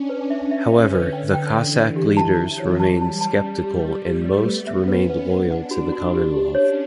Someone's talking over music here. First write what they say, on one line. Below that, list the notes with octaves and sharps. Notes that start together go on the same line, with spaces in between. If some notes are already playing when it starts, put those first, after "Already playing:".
However, the Cossack leaders remained sceptical and most remained loyal to the Commonwealth.
Already playing: C#4 D4
B4
C#4 E5
E5
D3 E5
B4
D3 G5
G5
E3 G5
D5
G4
A5
F#3 A5
C#5
G3 A5
A5
A5
C#4
G4
G4
A3 G4
D5
B3 B4
E5
C#4 B4
B4
D4 F#5
F#5
F#4
F#4
G4
G4
C#4 C#5